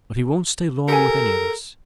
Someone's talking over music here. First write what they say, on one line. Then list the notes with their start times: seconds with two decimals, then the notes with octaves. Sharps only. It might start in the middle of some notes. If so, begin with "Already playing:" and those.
But he won't stay long with any of us.
0.88 G4 A4 A#4 G#5